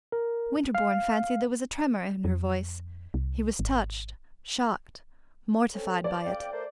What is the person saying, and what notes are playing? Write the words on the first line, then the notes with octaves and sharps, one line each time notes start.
Winterbourne fancied there was a tremor in her voice; he was touched, shocked, mortified by it.
A#4
F5
F2
C2
G#1
C4 C#4 A4
G2 C#5 D5
F2 F5 G5
A3 A#4 C5